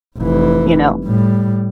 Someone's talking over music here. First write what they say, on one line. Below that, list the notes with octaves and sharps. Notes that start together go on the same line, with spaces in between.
You know?
F1 E3
A2 G3